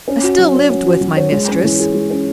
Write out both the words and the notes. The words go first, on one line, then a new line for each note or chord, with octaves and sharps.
I still lived with my mistress.
C#4
F#4
F#3
C#5
C#4
F#4
F#3
C#5
G#3
C#4
E3
G#4
G#3
C#4